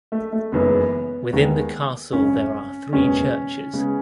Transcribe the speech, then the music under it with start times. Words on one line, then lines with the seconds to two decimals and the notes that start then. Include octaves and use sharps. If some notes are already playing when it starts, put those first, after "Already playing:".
Within the castle there are three churches.
0.12 A3
0.33 A3
0.52 F#1 F#2 E3 G#3 B3 D#4
1.33 D#2 D#3 G#3 B3 D#4
2.12 G#1 F#2 C#3 C#4
2.93 F#1 E2 B2 G#3 C#4
3.73 C#3 G#3 B3